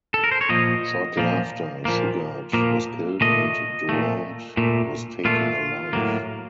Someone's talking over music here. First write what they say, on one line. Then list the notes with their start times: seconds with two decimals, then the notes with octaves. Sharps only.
Shortly after, Shughart was killed and Durant was taken alive.
0.14 A4
0.24 A#4
0.31 C5
0.41 C#5
0.49 A#2 F3 A#3 D#5
1.17 A#2 F3 A#3
1.85 A#2 F3 A#3
2.53 A#2 F3 A#3
3.21 A#2 A3 D#5
3.89 A#2 A3
4.57 A#2 A3
5.25 A#2 A3 F4
5.93 A2 F#3 A#3